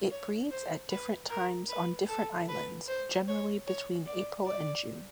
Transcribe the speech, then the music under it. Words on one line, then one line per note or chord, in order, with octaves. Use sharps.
It breeds at different times on different islands, generally between April and June.
C#5
C5
B4
A#4
B4
A4
B4
C5
C#5
C#5
D5
D5